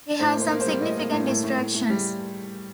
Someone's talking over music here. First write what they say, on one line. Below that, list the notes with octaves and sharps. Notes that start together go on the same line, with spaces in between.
He had some significant distractions.
A2 C5
A#3
C5
A#3
C5
G3
A2 D#5
A#3
A2
A2
A2
A2
A2
G3